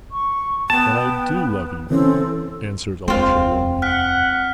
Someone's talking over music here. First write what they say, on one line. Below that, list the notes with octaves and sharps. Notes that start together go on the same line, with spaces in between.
"But I do love you!" answered Alyosha warmly.
C#6
B3 G5 A5
E3 C4 C#4 A4
F1 D#2 G#3 C4 F4
F#5 F6 F#6 B6